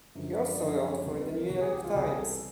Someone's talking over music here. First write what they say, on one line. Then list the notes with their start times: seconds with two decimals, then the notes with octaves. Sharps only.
He also wrote for "The New York Times".
0.15 F#2 D3 F3 G#3
0.49 D5
0.60 F#2 D3 F3 G#3 D#5
0.83 C#5
1.06 C2 C3 E3 G3 B3
1.17 B4
1.29 A#4
1.50 C2 C3 E3 G3 B3 F#4
1.61 G#4
1.72 G4
1.84 F4
1.95 C2 C3 E3 G3 B3 G#4
2.18 A4